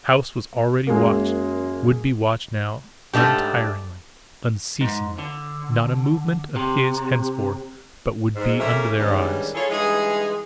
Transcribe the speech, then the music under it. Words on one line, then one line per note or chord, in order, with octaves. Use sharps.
The house was already watched, would be watched now untiringly, unceasingly; not a movement of his henceforth but would be under their eyes!
F#2 G#3 A#3
G#2 A3 D4 G4
G#2
D3
C3
G#2
A#2 C#3 A3 A#3 A#4 E5
E2 G#2 D#3 G3 C#4 D4
E4 F4 G#4 A4 C#5
G2 E3 G#3 D#4 G#4